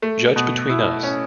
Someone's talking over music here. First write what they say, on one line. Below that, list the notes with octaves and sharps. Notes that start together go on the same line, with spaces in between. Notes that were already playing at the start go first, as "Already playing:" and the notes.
Judge between us.
A3
B2
E4
C#4